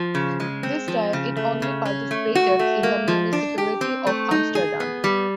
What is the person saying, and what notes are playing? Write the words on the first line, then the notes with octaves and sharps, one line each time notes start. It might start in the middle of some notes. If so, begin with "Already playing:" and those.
This time it only participated in the municipality of Amsterdam.
Already playing: F3
C#3
G#3
C4
F3
C#3
A3
C#3
C#4
A3
F#4
A3
A#3
F3
D4
G4
C4
A3
D#4
G#4
B3
G3